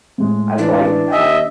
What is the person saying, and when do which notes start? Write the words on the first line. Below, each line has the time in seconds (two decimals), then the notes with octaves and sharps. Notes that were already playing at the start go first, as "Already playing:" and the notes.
I like that.
0.18 A2 G#3
0.58 E3 D4
1.12 D#2 D#5 E5